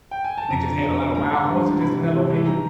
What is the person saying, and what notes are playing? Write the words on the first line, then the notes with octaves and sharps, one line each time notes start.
What they just had a lot of wild horses, just in that location?
G5
G#5
A5
F2 A#5
D3
F2
D3
B5
G#1 A#5
D3
G2
G#1
C3 B5
E3
C3
E3
D#3 A#5